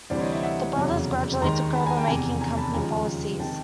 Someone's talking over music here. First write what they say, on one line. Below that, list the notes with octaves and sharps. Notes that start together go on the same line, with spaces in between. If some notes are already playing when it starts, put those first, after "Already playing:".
The brothers gradually took over making company policies.
D2 C3 E3 G3 C5 D5
C#5 D#5
D5 E5
E5 F#5
F1 E2 C#3 F#3
D#2 D#3 G#3 A#5 C6
A5 B5
G#5 A#5
G5 A5
F1 E2 C3 G#5 A#5
G#5 A#5
A5 B5
D#2 C#3 F3 G#3 G#5 A#5
C3 D#3 G5 A5